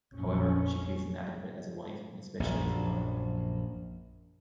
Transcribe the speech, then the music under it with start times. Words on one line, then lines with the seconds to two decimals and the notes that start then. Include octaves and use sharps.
However, she feels inadequate as a wife and especially as a mother.
0.12 A#1 F2 C#4
2.40 A#1 F#2